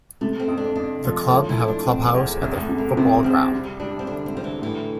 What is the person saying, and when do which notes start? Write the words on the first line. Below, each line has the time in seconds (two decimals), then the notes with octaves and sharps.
The club have a clubhouse at their football ground.
0.21 C3 A3
0.40 C4
0.48 F2
0.57 D4
0.76 F2 D4
1.04 F3 A3
1.31 F3 A#3
1.49 E4
1.59 A3
1.68 D4
1.86 A3 C4
2.14 E2 A#3
2.41 C2 G3
2.60 A3
2.69 C3
2.78 A#3
2.97 C3 C4
3.24 C2 C4
3.52 G3
3.80 G3 D4
3.99 C4
4.07 D3 D4
4.26 C4
4.35 D3 F3
4.44 E3
4.62 A2 E3